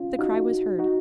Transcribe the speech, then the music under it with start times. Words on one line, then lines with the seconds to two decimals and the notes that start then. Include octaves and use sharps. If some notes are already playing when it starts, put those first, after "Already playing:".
The cry was heard.
Already playing: C#4 F4
0.19 D#4 F#4
0.79 D#4 F#4